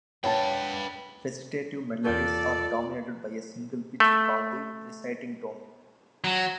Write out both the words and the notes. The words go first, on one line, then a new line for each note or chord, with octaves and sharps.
Recitative melodies are dominated by a single pitch, called the "reciting tone".
B4 C#5 F#5 G5 A5
E2 A#3 C#4 F4 A4 D5 G5
A3
F#3